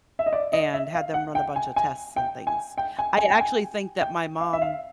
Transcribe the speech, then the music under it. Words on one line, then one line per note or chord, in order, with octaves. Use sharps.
and had them run a bunch of tests and things. I actually think that my mom,
E5
D#5
D5
D#5
E5
F5
F#5
G5
G#5
G#5
G5
G#5
G5
G#5
G#5
G5
G#5
G5
F5
E5
F5